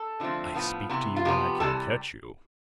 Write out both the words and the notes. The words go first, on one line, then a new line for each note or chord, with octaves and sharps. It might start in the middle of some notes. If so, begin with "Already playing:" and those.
I speak to you when I can catch you.
Already playing: A4
D3 F3 A3 C4
A2 F3 B3
C3 E3 B3
F4
C3 F3 B3 G4
C3 E3 G3 A4